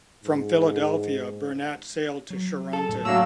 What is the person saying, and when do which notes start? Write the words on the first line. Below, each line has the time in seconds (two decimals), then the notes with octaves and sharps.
From Philadelphia Burnett sailed to Charente.
0.24 G#2
2.30 F#3
2.73 A4
2.89 D2 A2
3.05 F#3 A3 A#3 D4 E6